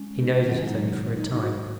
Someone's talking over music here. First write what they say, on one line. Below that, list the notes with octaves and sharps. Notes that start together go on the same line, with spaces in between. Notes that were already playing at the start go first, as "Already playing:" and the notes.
He knows it is only for a time.
Already playing: G#3 C#4
D#4
D#3
C#4
F#3
G#3 C#4
F#3 A#3 D#4
D#4
D#4
F#4